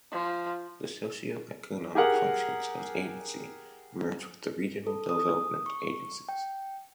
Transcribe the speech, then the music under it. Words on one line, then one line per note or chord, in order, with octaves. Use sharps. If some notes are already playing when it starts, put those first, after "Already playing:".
The socio-economic functions of the Agency were merged with the Regional Development Agencies.
F3
G4 G#4 A#4 F#5
A4
D#6
C#6
G5